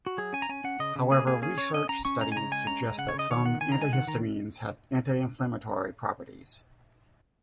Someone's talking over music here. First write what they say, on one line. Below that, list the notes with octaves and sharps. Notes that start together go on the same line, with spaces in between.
However, research studies suggest that some antihistamines have anti-inflammatory properties.
F#4
F#3 G#4
C#4 G#5
A#5
C#4 G#5
C#4 F#5
C#3 D#5
C#3
A#3 G#4
A#3 G#4
C#4 G#4
C#4 C#5
C#4 D#5
C#4 A#5
C#4 C#6
G#3 A#5
G#5
C#3 A#5
G#3 G#5
C#4 A#5
G#3
C#3 F#5
C#5
C#3 D#5
D#3 C#5
D#3 F#5
D#3 G#5
A#5
G#3 G#5
D#3 F#5
D#3 A#5